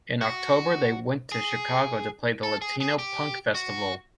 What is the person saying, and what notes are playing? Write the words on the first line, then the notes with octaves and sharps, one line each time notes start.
In October they went to Chicago to play the Latino Punk festival.
F#4
G#4
A4
G#4
G#4
G4
F#4